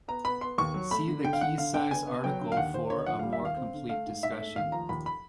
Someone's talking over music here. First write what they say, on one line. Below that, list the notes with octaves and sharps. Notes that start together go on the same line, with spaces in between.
See the key size article for a more complete discussion.
B3 A#5
B3 B5
B3 C6
D#2 C#6
F#3
A3 B5
D3
D3 G5
F5
D3 F#5
D3 F5
D3 G5
B3 G#5
B3
F#3 G5
D3
F5
D#2 F#5
D#2 C5
D3 C#5
F3 F#5
G3 F5
E5
D#2
F5
C4
D3
A3 F5
G#2
G#2 E5
A3
D#2 F5
F3 A#5
D#2 B5
B5